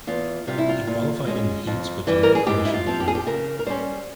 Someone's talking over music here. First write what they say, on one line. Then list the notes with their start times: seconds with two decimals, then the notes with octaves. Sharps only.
He qualified in the heats but did not finish in the final.
0.07 E2 F4
0.47 C3 G3 F4
0.58 E4
0.69 F4
0.87 A#2
1.27 G#3 C#4
1.67 F2
2.07 E3 G3
2.23 A#4
2.35 G#4
2.47 G#2 G4
2.65 E4
2.74 F4
2.86 F3 C4
3.00 G4
3.08 G#4
3.15 G4
3.26 C#3 A#4
3.59 A#4
3.66 G3 C#4 C5